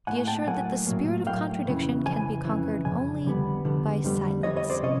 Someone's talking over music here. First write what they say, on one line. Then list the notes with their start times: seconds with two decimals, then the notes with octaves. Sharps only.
Be assured that the spirit of contradiction can be conquered only by silence.
0.07 A2 F#3 A#3 F#5 G#5
0.27 G5 A5
0.47 A2 F#3 A#3 F#5 G#5
0.87 A2 F#3 A#3
1.26 A2 F#3 A#3 F5 G5
1.66 F2 C#3 E3
2.06 F2 C#3 E3 G#5
2.45 F2 C#3 E3
2.85 F2 C#3 G#5
3.24 F2 D3 G3 B3
3.64 F2 D3 G3 B3
4.04 F2 D3 G3 B3
4.43 F2 D3 G3 B3 C#5 D#5
4.56 C#5 D#5
4.70 C5 D5
4.83 C3 F3 C#4 C#5 D#5